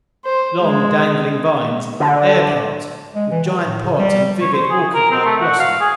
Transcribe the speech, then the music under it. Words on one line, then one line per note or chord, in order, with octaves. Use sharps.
Long, dangling vines; air plants, with giant pods and vivid orchidlike blossoms.
C5
G#3
D3
G#3
E3
D#3
A2
C#3
G3
C#5
C5
G#4
A#4
C4
A3
F#4
F5
G#4